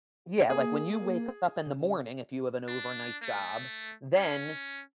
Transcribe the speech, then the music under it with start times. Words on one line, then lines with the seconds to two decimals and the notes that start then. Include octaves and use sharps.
Yeah, like, when you wake up in the morning, if you have an overnight job, then
0.50 A#3 G#4
1.67 C#3
2.68 D4
3.24 A3
4.18 C#4